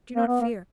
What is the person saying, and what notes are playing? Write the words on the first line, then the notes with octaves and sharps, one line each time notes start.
Do not fear.
A#3
B3
A#3